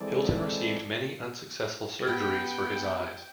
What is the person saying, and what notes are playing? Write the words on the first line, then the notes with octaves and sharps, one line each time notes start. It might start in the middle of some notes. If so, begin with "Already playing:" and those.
Hilton received many unsuccessful surgeries for his eyes.
E3 G#3 C4 A4 D5
B3 G4 G5